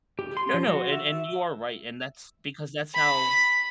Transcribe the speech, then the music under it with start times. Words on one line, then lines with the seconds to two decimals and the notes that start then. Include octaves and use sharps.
No, no. And and, you are right. And that's because that's how
0.19 G4
0.37 C6
0.54 F3
0.68 F#4
0.92 E5
2.95 B5